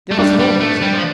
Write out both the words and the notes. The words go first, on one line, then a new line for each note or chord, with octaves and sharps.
Give us more music.
A3
G3 D4
G3
A3
G3
F3